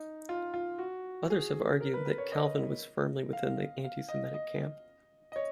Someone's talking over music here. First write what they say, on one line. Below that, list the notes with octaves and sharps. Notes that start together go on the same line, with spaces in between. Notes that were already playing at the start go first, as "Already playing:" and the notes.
Others have argued that Calvin was firmly within the anti-semitic camp.
Already playing: D#4
F4
F4
F#4
G#4
A#4
B4
B4
C#5
D#5
F5
F5
D#5
D#5
D#5
C#5